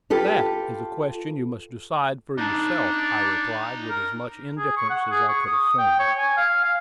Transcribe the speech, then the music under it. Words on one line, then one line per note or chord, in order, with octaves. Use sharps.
"That is a question you must decide for yourself," I replied, with as much indifference as I could assume.
F4 G4 A4 B4
D4 D#4 A5
A#4
G#4
C#6
F#5
G#4
C#6
D#6
G5
C#5
G#5
F5
F5